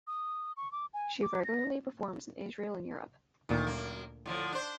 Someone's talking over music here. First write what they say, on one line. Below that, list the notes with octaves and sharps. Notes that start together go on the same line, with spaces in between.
She regularly performs in Israel and Europe.
D#6
C#6
D6
G#5
D6
A#6
D2 A#2 D#3
F#2 A#3
A2 D3 F3
D4 C5